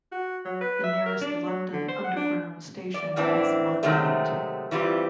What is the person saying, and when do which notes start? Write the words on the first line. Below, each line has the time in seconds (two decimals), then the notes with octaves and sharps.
The nearest London Underground station is Monument.
0.12 F#4
0.45 F#3
0.61 B4
0.84 E5
1.06 A#4
1.21 D4
1.47 F#3
1.72 D3
1.88 C5
2.04 F#5
2.17 D4
2.94 D5
3.16 F#2 A2 E3 C4 D4
3.83 C3 D#3 F#3 G#3 A3 C4
4.71 E3 G3 C4 F4